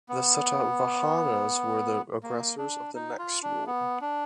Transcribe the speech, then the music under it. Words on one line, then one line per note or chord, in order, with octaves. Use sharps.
The Satavahanas were the aggressors of the next war.
B3
A#3
D4
D#4
F4
D4
B3
D4